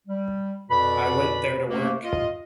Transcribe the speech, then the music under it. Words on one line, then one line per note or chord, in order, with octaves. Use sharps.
I went there to work.
G3
F2 B2 B4 D5 B5
F#2 A3 A#3
F4 D#5